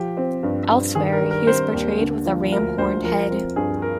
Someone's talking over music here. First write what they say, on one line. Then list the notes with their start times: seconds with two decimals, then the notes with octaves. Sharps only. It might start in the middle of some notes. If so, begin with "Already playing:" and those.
Elsewhere he was portrayed with a ram-horned head.
Already playing: F3 G4
0.17 C4
0.43 G2
0.70 G2
0.95 D#3 G#4
1.13 A#4
1.22 G3
1.31 A#4
1.47 C4 C5
1.74 D#2
2.00 D3
2.26 F3
2.52 D2 A#4
2.78 D2 C5
3.04 F3 A#4
3.30 C4
3.56 G2 G#4
3.82 A#4